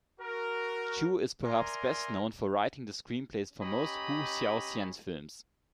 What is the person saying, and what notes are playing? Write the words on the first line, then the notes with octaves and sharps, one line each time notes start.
Chu is perhaps best known for writing the screenplays for most Hou Hsiao-hsien films.
F#4 A#4
A#4 D5 E5 G#5 A#5 C6
C#4 G4 D#5 A#5 B5